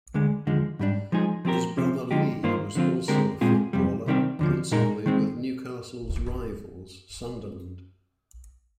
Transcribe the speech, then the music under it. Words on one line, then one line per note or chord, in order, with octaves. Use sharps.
His brother Lee was also a footballer, principally with Newcastle's rivals Sunderland.
D2 D3 G#3
D#2 D3 F3 G#3
G#2 G3 D4
F3 G#3 D#4 G#4
F3 C4 G4 A#4
C3 F3 C4
D3 F3 G#3 D#4 G4
G2 D#3 A#3 F4 C5
D3 F3 C4 F4
D3 G#3 C4 G4 A#4
A#2 G#3 C4 F4 G#4
F2 C3 G3
C2 C3 D#3 G3 C4
D#2 D3 F3
A#2 G#3 D#4 A#4
D#3 G#3 C4